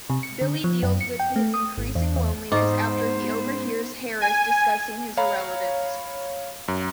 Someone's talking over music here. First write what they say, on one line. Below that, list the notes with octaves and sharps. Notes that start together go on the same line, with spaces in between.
Billy deals with his increasing loneliness after he overhears Harris discussing his irrelevance.
C3
C#7
D3
F3
F#2
C#7
G5
A3
D#6
G#1
E2
E2
G#2 B3 D#4 C5 D#5 C#6 D6
G#5
C#5 F5 A#5 B5
F#2